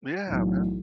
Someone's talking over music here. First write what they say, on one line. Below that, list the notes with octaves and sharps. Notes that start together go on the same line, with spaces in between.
Yeah, man.
B1 A2 E3